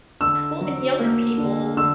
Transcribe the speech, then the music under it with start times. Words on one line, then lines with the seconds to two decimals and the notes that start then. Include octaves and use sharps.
Well, and younger people,
0.21 D3 E6
0.61 F#3
0.99 A#3
1.38 D3
1.77 D3 E6